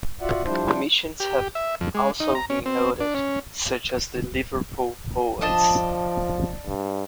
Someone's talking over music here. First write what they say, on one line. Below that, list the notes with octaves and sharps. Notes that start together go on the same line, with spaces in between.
Omissions have also been noted, such as the Liverpool poets.
F4 F#4 D5 E5 F#5
F3 G3 D4 E4 C5
G4
E5
F2
G#3
D#4
A#5
C#4
C4
D4
C#4
F3 D4 D#5 A5
G2